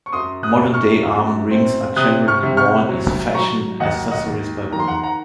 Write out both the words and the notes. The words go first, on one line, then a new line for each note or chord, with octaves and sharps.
Modern day arm rings are generally worn as fashion accessories by women.
C#6
F#2 C6 D#6
D#6 F#6
F#2
C#6 F6
F#2
C4
C3 D#6 F#6
C#6 F6
C3
C#6 F6
F#3
F#3 A#5 C#6
D#2 D#5 F#5
D#5 F#5
D#3
D#3 A#5
C6
F#5 A#5
F#5 A#5